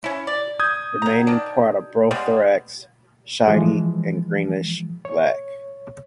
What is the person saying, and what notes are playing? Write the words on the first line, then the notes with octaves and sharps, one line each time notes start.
Remaining part of prothorax shiny and greenish black.
C#4 E4
D5
D#6 G6 G#6
F#3 A#5
D#3 D4
G3 G#3 B3
E3 F3 G#3
C#5